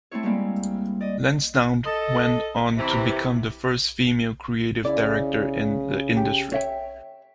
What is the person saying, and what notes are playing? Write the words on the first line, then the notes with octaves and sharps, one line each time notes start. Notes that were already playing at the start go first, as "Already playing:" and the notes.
Lansdowne went on to become the first female creative director in the industry.
A3 C4 E4 C#5
G3 G#3 A#3 C4
D5 D#5
A4 D#5
C3 E3
C#3 E4 D5
G4
C#5 E5 G5